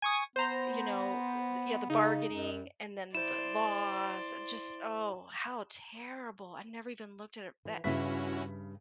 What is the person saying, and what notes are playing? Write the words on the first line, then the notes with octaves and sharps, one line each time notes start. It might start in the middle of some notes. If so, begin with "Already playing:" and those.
you know, eh, the yeah, the bargaining and then the loss, and just Oh, how terrible, I never even looked at it that
G#5 C#6 D#6
B3 C5 A#5
C#3 D#4
F#2
E4 C5 D5 C6 E7
E3
G2 C#3 C#4 E4 F#4 B4 E5 B6